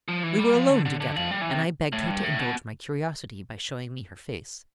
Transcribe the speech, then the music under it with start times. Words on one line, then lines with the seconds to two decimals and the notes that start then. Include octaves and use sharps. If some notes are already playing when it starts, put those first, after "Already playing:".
We were alone together, and I begged her to indulge my curiosity by showing me her face.
0.08 F3
0.23 E3
0.39 G3
0.54 F3
0.69 D3
0.85 D3
1.00 D3
1.16 F3
1.31 G3
1.41 E3
1.51 C3
1.93 A2
2.08 G2
2.23 A2
2.39 B2